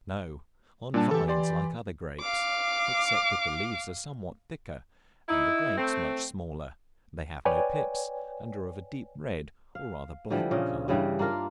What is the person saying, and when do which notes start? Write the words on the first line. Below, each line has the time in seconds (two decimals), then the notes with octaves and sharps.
No, on vines like other grapes, except that the leaves are somewhat thicker, and the grapes much smaller: they have no pips, and are of a deep red, or rather black color.
0.94 A#2 G3 D4 A5
1.11 E3 G4 A4
1.28 G4 D5 C6
2.21 F5 D6
5.29 D#4 E4
5.78 A3 C4
7.45 B4 C#5 D5 G5 G#5
9.75 F5
10.30 D3 E3 F3 G3
10.51 A#2 C#3 C#4 D#5
10.88 G2 C#3 E3 G3
11.19 A#3 D4 F4 A#4